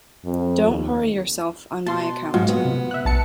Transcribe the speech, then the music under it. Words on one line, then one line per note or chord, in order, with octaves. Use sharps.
Don't hurry yourself on my account.
F2
D#2
B2 A5 C6
G#2 F#3 F4 F#4
B3
C3
E5 F#6
B1 A5 C#7